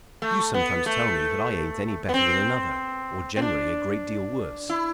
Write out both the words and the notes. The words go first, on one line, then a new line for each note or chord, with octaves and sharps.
You sometimes tell me that I ain't any better than another,--or generally a great deal worse.
A3
B3
A3
B3
C4
C4
D4
E4